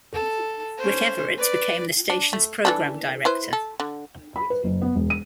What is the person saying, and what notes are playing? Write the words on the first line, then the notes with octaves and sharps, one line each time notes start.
Rick Everett became the station's Program Director.
A4
C#4 C5
B4 D5
D4
A3
E3 D4 A4
E4 B4 C5
A4
D3
B5
B4
F#1
B3
E1
D#7